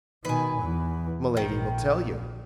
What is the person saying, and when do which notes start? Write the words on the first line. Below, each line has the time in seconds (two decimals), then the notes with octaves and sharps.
"Milady will tell you."
0.25 B2 D#3 B4 G#5
0.61 E2 E3
1.37 A#1 D#3